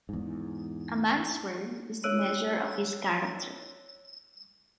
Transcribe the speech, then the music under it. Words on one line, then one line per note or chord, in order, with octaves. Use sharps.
A man’s word is the measure of his character.
E2 G#2
C#5 E6 F#6 D7 D#7 F#7